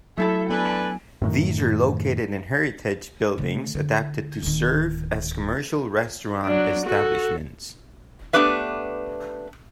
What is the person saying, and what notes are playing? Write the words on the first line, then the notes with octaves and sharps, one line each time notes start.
These are located in heritage buildings adapted to serve as commercial restaurant establishments.
F#3 A3 E4 A4 E5 A5
B3 D4 A4 B4 G#5
F#2 A2 D#3
C#3 A3
D3
D1 D#3
F#3 D4
F#4 A4
A3 B3 D4 G4 B4 E5